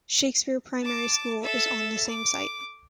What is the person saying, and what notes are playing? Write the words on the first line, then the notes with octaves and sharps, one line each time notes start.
Shakespeare Primary School is on the same site.
A5 D6
A4 E5
D6